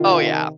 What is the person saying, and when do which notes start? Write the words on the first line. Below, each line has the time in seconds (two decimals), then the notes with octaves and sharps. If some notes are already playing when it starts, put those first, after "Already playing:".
Oh, yeah.
Already playing: C3 D#3 F4